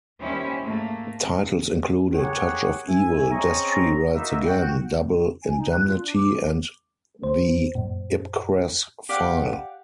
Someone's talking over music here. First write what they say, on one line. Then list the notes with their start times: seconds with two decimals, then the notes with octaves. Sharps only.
Titles included, Touch of Evil, Destry Rides Again, Double Indemnity and The Ipcress File.
0.20 D#2 G3 C#4 E4 C5
0.61 G#2 A3 A#3
2.15 G4 G#4 A#4 C#5 F#5
2.88 E5 G#5
3.31 C4 C#4 G#4 D#5 A#5 C#6
4.14 A#3 D#4 E4 F#4 E5
4.45 F#4 G5
5.43 G#5
5.57 D#4
5.71 F#6
5.87 F4
6.00 D4
6.15 D6
7.23 C5
7.75 F#2 A#2
9.09 G4 D5 F5 F#5